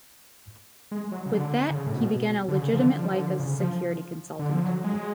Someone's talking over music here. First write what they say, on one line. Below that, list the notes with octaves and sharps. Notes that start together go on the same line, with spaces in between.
With that, he began a legitimate life as a security consultant.
G#3
F#3
C#3
D3
D3
C#3
A2
B2
D3
C#3
F3
D3
F3
F3
D3
C#3
F3
D3
F3
F#3
G#3